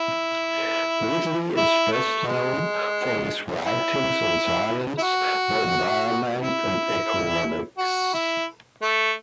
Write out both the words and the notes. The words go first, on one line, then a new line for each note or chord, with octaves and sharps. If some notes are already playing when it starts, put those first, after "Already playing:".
Ridley is best known for his writings on science, the environment, and economics.
Already playing: E4
E4
A3
G#3
E4
E4
F#4
E4
F#4
E4
A3